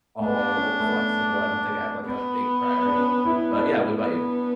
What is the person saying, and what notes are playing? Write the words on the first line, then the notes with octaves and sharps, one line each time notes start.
all flexible. I don't think I have, like, a big priority. But, yeah, what about you?
A3
B3 D4
C#4
A3
B3
B3
D4
C#4
E4
D4
B3